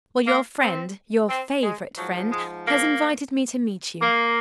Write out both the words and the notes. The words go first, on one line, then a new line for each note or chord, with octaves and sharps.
Well, your friend, your favorite friend, has invited me to meet you.
A#3
C4
C4
G#3
G#2 F3 F#3
G#3
A#3
A#3